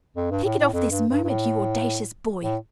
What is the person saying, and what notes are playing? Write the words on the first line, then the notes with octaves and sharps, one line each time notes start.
'Take it off this moment, you audacious boy!
F2
G2
A2
A2
F2
G2
G2
G2
A2
A2